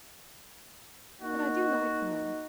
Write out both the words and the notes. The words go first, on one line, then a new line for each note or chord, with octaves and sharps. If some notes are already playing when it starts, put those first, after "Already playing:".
But I do like the man.
A#3 D#4 F#4